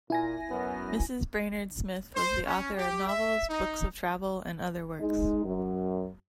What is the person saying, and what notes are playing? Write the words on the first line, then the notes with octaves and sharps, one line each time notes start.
Mrs. Brainerd Smith was the author of novels, books of travel and other works.
A#2 E4 G#5 A#6
F#2 B3
C5
C#4
G4
E5
D#4
G#3 D#4
F#2